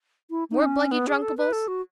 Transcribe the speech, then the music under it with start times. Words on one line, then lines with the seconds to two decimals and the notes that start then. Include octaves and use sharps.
More bluggy drunkables?
0.30 E4
0.51 D#4
0.62 C#4
0.91 B3
1.07 G#4
1.22 A4
1.37 B4
1.53 A4
1.68 F#4